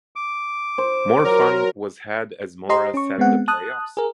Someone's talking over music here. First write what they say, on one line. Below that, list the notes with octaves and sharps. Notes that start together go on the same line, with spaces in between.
More fun was had as Mora said the Playoffs?
D6
C5
F#3 A#4
G4 C5 D#5 A#5 C6
C#4 C#6
G#3 B3 C4 F#5
A5 D#6 F#6
G#4 A#4